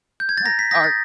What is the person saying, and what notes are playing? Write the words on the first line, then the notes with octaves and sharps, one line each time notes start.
Well, I
G6
G#6
A6
A#5 A#6
B6
D#6 G6 A#6
A6